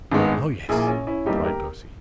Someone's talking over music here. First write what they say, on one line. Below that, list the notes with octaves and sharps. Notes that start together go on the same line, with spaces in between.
"Oh, yes," replied Darcy.
G#1 G2 D#3 G#3 B3
A#1 A#2 A#3 E4 G#4
C#4
C#4 E4
G1 G2 G3 A#3 D#4 G4
G4 A#4